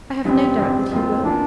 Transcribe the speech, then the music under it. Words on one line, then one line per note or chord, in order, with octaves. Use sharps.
I have no doubt that he will.
F2 C3 E3 G3 C4 D4
F2 C3 E3 G3 D4
F2 E3 A#3 C4 F4
E3 A#3 D4 F4